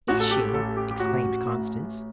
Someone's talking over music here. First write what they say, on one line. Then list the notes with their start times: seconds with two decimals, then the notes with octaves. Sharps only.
"Is she?" exclaimed Constance.
0.08 A1 F#4
0.20 A4
0.31 G4
0.53 A1 A4
0.77 G4
0.91 G4
1.00 A1 F#4
1.45 A2